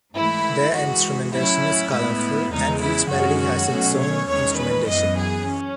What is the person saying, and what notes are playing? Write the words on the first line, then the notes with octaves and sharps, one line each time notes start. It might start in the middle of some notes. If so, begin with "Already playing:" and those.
Their instrumentation is colorful and each melody has its own instrumentation.
G#2 E3 A3 E4
G#2 E3 G#3 F#4
A2 F#3 C#4 E4
A2 G#3 B3 E4
E2 C#3 G#3 D#4
E4
F#2 D#3 G#3 C#4 F#4
B2 F#3 A3 C#4
C#5
E2 D#3 G#3 C#4 C#5
B4
F#2 E3 B3 D#5
G#4
C#4